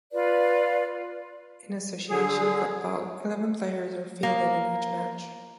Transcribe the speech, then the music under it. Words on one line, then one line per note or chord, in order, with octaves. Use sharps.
In association football, eleven players are fielded in each match.
F4 B4 D5
D3 G#4
A#3